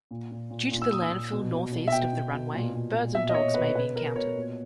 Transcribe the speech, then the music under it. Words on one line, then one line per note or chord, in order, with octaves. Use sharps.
Due to the landfill northeast of the runway birds and dogs may be encountered.
A#2
A#2
A#2
A#2
E6
A#2 D#6
E6
A#2
B2
B2
B2
E5
B2 G5
B2
B2
A#2
A#2
A#2
B2 E5
D#5
B2 C#5
B2 B4
B2 B4
B2 A#4
B2 C#5
A#2